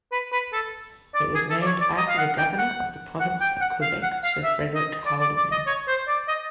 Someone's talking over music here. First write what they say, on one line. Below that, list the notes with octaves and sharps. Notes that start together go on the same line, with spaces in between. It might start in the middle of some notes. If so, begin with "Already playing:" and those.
It was named after the governor of the Province of Quebec Sir Frederick Haldimand.
B4
B4
A4
D5
G#4
A4
D5
C#5
D5
D#5
F5
F#5
G5
F#5
F#5
G5
F#5
F5
F#5
F5
E5
D#5
D5
D5
D5
D#5
C#5
C5
D5
D#5